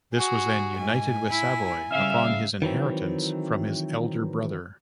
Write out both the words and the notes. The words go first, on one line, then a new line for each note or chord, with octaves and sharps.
This was then united with Savoy upon his inheritance from his elder brother.
F#4 G#4
G#2 G#5
E4
C#3 G3 E5 F5
D#3 E3 F#3 C4